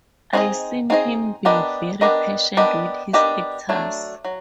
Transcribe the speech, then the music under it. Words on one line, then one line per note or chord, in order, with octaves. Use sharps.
I seen him be very patient with his actors.
C4 D#4 G#4 C5 D#5
C4 D#4 G#4 C5 D#5
B3 D4 G4 A#4 D#5
B3 D4 G4 A#4 D#5
B3 D4 G4 A#4 D#5
B3 D4 G4 A#4 D#5
F#3 A3 D4
F#3